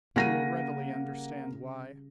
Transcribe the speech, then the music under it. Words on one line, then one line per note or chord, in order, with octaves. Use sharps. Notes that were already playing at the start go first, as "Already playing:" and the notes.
You will readily understand why.
C#3 G3 A#3 F#4 F5 F#5 A#6 D#7